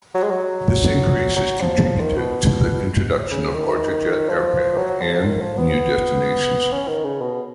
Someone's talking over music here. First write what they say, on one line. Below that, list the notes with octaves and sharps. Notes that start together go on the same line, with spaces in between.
This increase is contributed to the introduction of larger jet aircraft and new destinations.
F#3
G#3
F#3
F#3
F3
F3
D#3
B2
C#3
D#3
F3
F#3
F3
D#3
F3
B3
C#4
D#3
C#3
B2